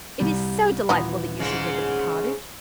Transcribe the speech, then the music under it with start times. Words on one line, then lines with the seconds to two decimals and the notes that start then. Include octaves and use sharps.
It is so delightful that you should live at the cottage!
0.20 C2 G3
0.89 D#1 E3 F3 B3 D#4
1.39 G#2 C#3 G#3